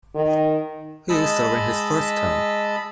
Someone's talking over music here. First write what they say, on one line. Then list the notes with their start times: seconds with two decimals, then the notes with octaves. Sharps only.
He is serving his first term.
0.14 D#3
1.10 G#3 D#5 A5 B5 E6